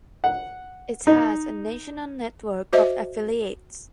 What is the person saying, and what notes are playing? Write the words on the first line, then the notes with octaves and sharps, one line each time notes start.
It has a national network of affiliates.
F#5
D#4
F#4 C5 D#5 E5